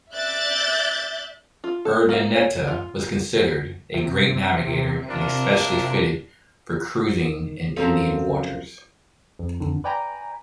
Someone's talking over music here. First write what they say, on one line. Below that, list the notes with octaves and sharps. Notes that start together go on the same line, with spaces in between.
Urdaneta was considered a great navigator and especially fitted for cruising in Indian waters.
D5 E5 F#6 G6 A6
F4
A4
A#3
C#5
F4
C3
D4 F4 A#4
D#3
F#2 F3 C4 A4 A#5
F2
F2 D3 D#3
B4 D5 G5 G#5 A#5 B5